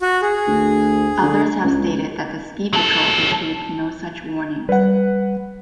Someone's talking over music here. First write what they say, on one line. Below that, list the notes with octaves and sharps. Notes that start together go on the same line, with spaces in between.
Others have stated that the ski patrol issued no such warnings.
F#4
G#4
D2
D3
C#2
F#3 A4
G3 B4 F#5